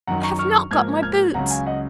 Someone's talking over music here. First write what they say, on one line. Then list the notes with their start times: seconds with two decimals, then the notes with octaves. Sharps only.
I have not got my boots!
0.07 F#2 D#3 F#3 F#5 A#5
0.23 A#5 C#6
0.39 C#6 F6
0.71 G#2 F3 A#3 F6 G#6
1.02 F6 G#6
1.34 C#2 C#3 F#3 C#4 F#5 A#5
1.50 F5 G#5
1.66 D#5 F#5